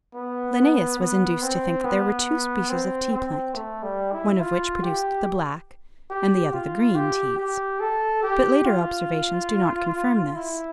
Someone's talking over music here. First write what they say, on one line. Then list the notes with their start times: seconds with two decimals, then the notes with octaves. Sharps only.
Linnaeus was induced to think that there were two species of tea-plant, one of which produced the black, and the other the green teas; but later observations do not confirm this.
0.15 B3
0.99 B3
1.42 C4
1.84 B3
2.70 C4
3.12 C4
3.55 A3
3.83 G3
4.12 E4
4.40 F4
4.83 G4
6.10 G4
6.53 F4
6.95 G4
7.38 G4
7.80 A4
8.23 G4
8.65 F4
10.35 E4